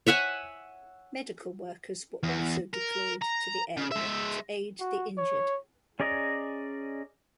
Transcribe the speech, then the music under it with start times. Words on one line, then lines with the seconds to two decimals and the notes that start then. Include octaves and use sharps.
Medical workers were also deployed to the area to aid the injured.
0.07 C#5 E5 F#5 G#5
2.23 E2
2.73 A#4
3.22 A#5
3.77 C#3
3.92 G#3 E5
4.80 F#4
5.18 C#5
6.00 C#4 G#4 D5 D#5 A#5